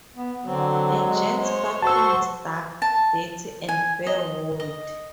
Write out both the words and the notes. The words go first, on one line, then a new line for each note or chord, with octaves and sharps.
The gents' bathroom is dark, dirty and bare-walled.
B3
D3 F#3 C4
G#3
C5 C#5
F#4 C5 A5 C#6 E6
A5
G#5
D#5
D#5